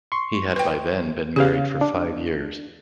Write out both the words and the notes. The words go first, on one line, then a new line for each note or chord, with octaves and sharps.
He had by then been married for five years.
C6 C#6
B4 G5
C#3 G4 F5
D4